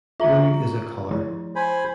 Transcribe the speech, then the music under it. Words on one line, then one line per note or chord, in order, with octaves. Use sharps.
Blue is a colour.
F4 E5 A#5
F3 E4
C5 G#5 B5